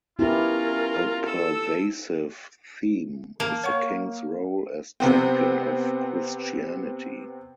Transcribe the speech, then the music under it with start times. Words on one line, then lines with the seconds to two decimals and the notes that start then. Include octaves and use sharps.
A pervasive theme is the King's role as champion of Christianity.
0.19 B3 C#4 E4 F4 G4 A#4
1.26 A4 E6
3.40 A#3 A5
3.64 C#5 F#5 C#6
5.00 C3 B3 C4